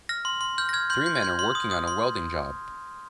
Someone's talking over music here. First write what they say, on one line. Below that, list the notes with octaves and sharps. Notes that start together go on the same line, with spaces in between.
Three men are working on a welding job.
F6 A#6
C6
C6
F6 G6
A#6
F6 G#6
C6 G6
C6 G6
G#6
C6 G6
C6
D#6
D#6
C6